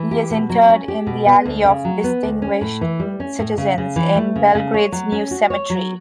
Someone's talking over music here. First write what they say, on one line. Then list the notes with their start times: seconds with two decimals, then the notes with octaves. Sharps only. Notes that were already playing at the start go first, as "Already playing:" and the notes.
He is interred in the Alley of Distinguished Citizens in Belgrade's New Cemetery.
Already playing: E3
0.11 G4
0.30 B2
0.49 F#3
0.69 C#4
0.88 G4
1.07 B2
1.26 B3
1.45 D2
1.65 C#3
1.85 F#3
2.04 B3
2.23 D2
2.42 C#4
2.61 A2
2.81 E3
3.00 G3
3.20 C#4
3.39 A2
3.58 C#3
3.78 C#3
3.96 E3
4.15 A3
4.36 C#3
4.55 C#3
4.74 C#5
4.92 F#3
5.12 C#4
5.31 F#4
5.50 C#5
5.70 F#3